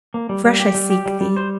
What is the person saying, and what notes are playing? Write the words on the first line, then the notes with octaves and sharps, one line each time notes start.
Afresh I seek thee.
A#3
G3
G3
G4
G3
G4
G3
G3
C5